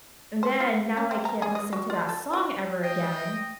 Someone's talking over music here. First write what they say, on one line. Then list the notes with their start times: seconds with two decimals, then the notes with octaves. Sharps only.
then, now I can't listen to that song ever again,
0.43 C5
0.60 F4
0.97 C#4
1.11 C4
1.25 A#5
1.42 G#4
1.55 D#5
1.73 F#4
1.90 F4
2.09 A4
2.33 E4
2.83 D#5 G5